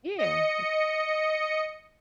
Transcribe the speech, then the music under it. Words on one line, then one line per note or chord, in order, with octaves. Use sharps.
Yeah, m
D#5 C#7